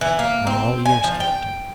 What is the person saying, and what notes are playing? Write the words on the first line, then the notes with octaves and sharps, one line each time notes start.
"I'm all ears, captain."
E3
A#3
C4
G#5
F3
G5